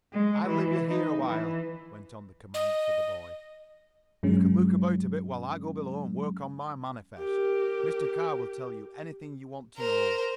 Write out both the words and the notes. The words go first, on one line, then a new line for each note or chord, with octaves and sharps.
"I'll leave you here a while," went on the commander to the boy. "You can look about a bit while I go below and work on my manifest. Mr. Carr will tell you anything you want to know."
G#3
E3
D#4
E3
D#5
G2 F#3 G#3 C#4
G4 A#4
A#4 C5